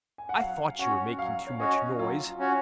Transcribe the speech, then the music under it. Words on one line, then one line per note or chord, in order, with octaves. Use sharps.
'I thought you were making too much noise.'
G#5
F#5
F#3 F5
C#4 F#4 C#5 F#5
F#3 F5
C#5
C#4 F#4 C#5 D#5
F#3 F4
C#4 F#4 C#5